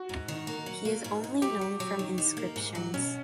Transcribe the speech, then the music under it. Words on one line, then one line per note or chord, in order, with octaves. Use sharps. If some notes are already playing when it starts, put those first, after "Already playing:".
He is only known from inscriptions.
Already playing: F#4
G#2
D#3
A#3
F#3
A#3
G#2
G#2
F#3 G4
F#3
F#3
D#3
D#3
A#3
G#2
F#3
B2 C#4